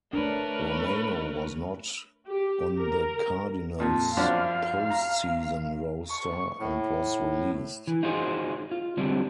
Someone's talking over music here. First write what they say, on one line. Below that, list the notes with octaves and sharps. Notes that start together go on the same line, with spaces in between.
Romano was not on the Cardinals postseason roster and was released.
A3 D4 A#4 B4 C#5
G4
A#4
F2 A#2 A5
F#2 F3 D4 F5
A#5
C#6
A2
E3
D#4 F4 F#4 G#4 C5
F4
D3 F#3 G3 C4 D4